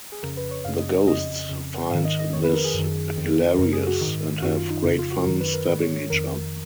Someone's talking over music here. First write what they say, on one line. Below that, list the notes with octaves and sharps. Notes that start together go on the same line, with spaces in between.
The Ghosts find this hilarious, and have great fun stabbing each other.
G#4
F2 C#3 A#4
B4
C#5
F#2 C#3 F5
D#5
D#5
F2 C#3 D#5
F2 C#3
G#2 D#3 F5
D#5
D#5
F2 D#3 C#5
B4
A#4
G#4
F#2 D#3
F2 D#3
F#2 C#3 A#4
G#4
F#4
G#2 D#3
F#2 D#3 F#4
F4
D#4
F2 C#3 D#4
F4
F#4
F#2 D#3 A#4
B4
A#4
G#2 D#3 B4
C#5
C#5
F2 D#3 A#4